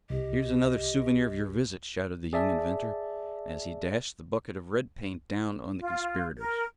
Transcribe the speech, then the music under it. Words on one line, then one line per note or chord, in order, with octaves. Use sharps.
"Here's another souvenir of your visit," shouted the young inventor, as he dashed the bucket of red paint down on the conspirators.
C2 G4 D#5
G#4 D5 E5 A5
F4
A#4